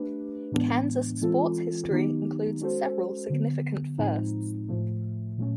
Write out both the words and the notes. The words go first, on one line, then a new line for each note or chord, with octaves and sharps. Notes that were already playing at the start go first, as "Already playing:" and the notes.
Kansas sports history includes several significant firsts.
Already playing: A3 D4 G4 B4
A2 E3 G#3 B3 D4
E3 G#3 C4 F4 A4
D#3 F#3 B3 D#4 G4
G#3 C#4 F#4 A4 C5
D3 F#3 B3
A2 F3 G#3 C4 D#4
A2 F3 A3
A#2 F#3 A3 C#4